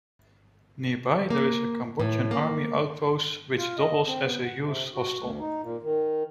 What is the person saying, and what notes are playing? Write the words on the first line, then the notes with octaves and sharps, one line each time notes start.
Nearby there is a Cambodian army outpost which doubles as a youth hostel.
A#3
A2
A#3
F4
D#5
C4
B3
F#5
C3
F#4
D2
D#4
A#2
D#3